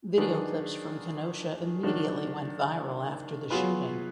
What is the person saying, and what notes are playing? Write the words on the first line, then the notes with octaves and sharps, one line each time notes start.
Video clips from Kenosha immediately went viral after the shooting.
D#3 F#3 D4 G#4 B4
D#3 F#3 D4
F#3 B3 F4 G#4 B4